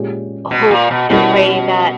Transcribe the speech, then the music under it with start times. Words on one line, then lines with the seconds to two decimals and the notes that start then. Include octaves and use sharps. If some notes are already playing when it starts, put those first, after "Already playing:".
hope and pray that,
Already playing: A#2 G#3 C#4 G4
0.51 B2
0.70 A#2
0.91 B2
1.10 B2 G3 C#4 E4 A#4 D#5